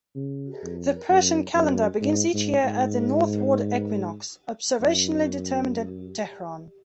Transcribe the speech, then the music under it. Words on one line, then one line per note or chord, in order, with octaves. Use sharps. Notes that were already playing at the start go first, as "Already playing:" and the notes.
The Persian calendar begins each year at the northward equinox, observationally determined at Tehran.
C#3
F2
F#2
F#2
G#2
G#2
G#2
F#2